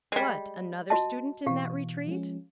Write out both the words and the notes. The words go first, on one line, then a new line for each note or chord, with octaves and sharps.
"What--another student in that retreat?"
G3 G#3
F#4 D#5 A5
B2 E3 G4 F5
F3 G#3 C#4